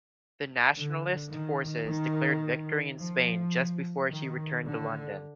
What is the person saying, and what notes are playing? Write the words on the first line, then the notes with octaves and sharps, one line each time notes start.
The Nationalist forces declared victory in Spain just before she returned to London.
D3
D#3
D#3
F3
D#3
D3